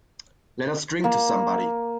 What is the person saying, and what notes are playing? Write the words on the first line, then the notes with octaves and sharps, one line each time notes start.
Let us drink to somebody.
A#3